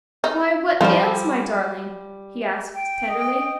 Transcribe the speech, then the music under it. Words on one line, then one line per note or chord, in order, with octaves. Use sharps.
"Why! what ails my darling?" he asked tenderly.
D#4
F3 G3 F4 C5
G5
D#5